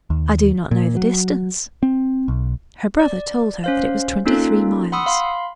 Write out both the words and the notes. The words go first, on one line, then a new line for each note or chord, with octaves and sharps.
"I do not know the distance." Her brother told her that it was twenty-three miles.
D#2
A#2
F#3
C4
B1
D5
C#4 C5 F5
A#3 C#4 D#4 F4 A4
F#5 B5 C6 D#6 E6
F5 B5 C6